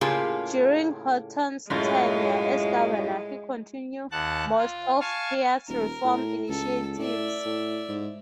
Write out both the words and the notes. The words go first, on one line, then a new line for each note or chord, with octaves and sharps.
During Horton's tenure as governor, he continued most of Peay's reform initiatives.
A2 C#3 A#3 F4 G4 G#4
F#2 A2 G#3 F4
D#2 F#5 A5 F#6
F4
F5 G#5 A5 C#6 F6
D#1 A#4
A2
C#2 A4
A2 D5 E5
A2
G#2